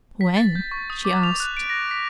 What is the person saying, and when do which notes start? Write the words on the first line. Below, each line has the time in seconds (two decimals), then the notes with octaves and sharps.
"When?" she asked.
0.21 B6
0.37 A6
0.55 G6
0.71 C#6
0.90 D#6
1.05 D6
1.23 F7
1.40 F#6
1.57 D7
1.70 A#6
1.91 B6